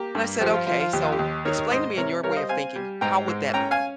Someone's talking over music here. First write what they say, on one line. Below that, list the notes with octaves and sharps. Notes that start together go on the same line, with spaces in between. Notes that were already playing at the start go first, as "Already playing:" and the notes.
and I said, "Okay, so explain to me in your way of thinking, how would that look?
Already playing: A#3 G4
G2
F3 G4
F4
F3 F4
F4
D#2 G4
F4
G4
D#2
D#3 A#4 C#5
G#2 C5 D#5
C3 A#4 C#5
G3 A#4 C#5
F5
C5 D#5
C4 F5 G#5
G3
G#2 G5 A#5
G#2
C#4 G5 A#5
F5 G#5